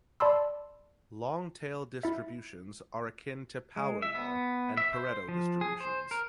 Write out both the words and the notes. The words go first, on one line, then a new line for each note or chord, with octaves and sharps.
Long tail distributions are akin to power law and Pareto distributions.
D5 A5 B5 C6 E6
E4 E5
G#3
E5
B3
E5
C5
F3
G#4
C5
A#4